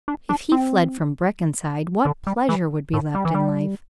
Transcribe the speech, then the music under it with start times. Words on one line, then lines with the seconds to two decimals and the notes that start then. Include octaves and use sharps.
If he fled from Brackenside, what pleasure would be left in life?
0.08 D4
0.29 D4
0.52 C4
2.05 D3
2.27 G3
2.49 E3
2.93 A2
3.15 G3
3.25 E3
3.35 G3